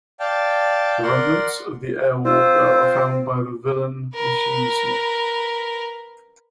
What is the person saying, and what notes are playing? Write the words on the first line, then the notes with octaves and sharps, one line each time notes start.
The remnants of the Air-Walker are found by the villain Machinesmith.
D5 F5 G5 A5
A#4 D5 F#5 C6
C4 F4 C5 E6
A#4 B4